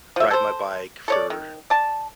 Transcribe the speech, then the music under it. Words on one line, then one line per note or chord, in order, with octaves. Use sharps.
ride my bike for
F3 E5
A4 C5
A4 C#5 D5
D#3
D5 A5